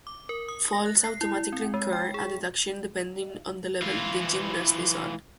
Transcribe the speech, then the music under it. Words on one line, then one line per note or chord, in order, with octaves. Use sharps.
Falls automatically incur a deduction depending on the level the gymnast is on.
D6
A#4
D#6
A#6
F#6
C7
E4
C4
G#3
G5
G#4
E3 F4